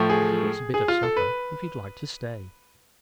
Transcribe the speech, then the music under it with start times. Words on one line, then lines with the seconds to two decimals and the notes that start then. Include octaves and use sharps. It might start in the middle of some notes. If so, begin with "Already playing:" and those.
But there is a bit of supper, if you like to stay.
Already playing: A2 F3 A3
0.10 G#4
0.74 G#4
0.88 F4
1.03 A4
1.17 B4